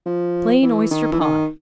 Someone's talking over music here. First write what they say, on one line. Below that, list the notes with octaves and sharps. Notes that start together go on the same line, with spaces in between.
Plain Oyster Pie.
F3
E3
D#3
E3
D#3